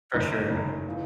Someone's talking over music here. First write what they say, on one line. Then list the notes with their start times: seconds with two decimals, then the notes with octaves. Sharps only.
For sure.
0.13 F#1 F#2 D#3 D#4
0.50 F#1 F#2 D#3
0.88 C#3 E3